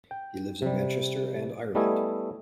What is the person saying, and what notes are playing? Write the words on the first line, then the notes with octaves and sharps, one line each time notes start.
He lives in Manchester and Ireland.
G5
C3 G3
G3 A3 B3 E4 D#5 G#5